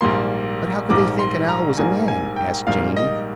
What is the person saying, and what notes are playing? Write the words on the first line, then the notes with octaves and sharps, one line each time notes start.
"But how could they think an owl was a man?" asked Janey.
A#1 G#2 G3 A#3 C6
A#1 G#2 G3 A#3 D6
C6
A#5
A#1 G#2 G3 A#3 G#5
G#5
G5
A#1 G#2 G3 A#3 F5
D#5